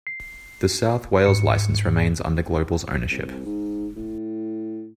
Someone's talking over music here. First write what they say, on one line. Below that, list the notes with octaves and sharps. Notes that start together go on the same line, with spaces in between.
The South Wales licence remains under Global's ownership.
C7
G#2 C#7
C2
G#2
A2